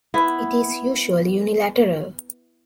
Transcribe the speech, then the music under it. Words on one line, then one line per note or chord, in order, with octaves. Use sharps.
It is usually unilateral.
B3 E4